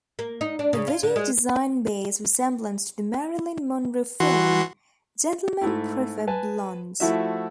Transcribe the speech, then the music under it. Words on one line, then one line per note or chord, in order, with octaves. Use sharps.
The video design bears resemblance to the Marilyn Monroe film "Gentlemen Prefer Blondes".
A#3
D#4
D4
C#3
F4
D3
G#3
E3 F#4 C6
G#2 A3 E4
B4 G#5 A5
F3 A3 E4 F#4 E5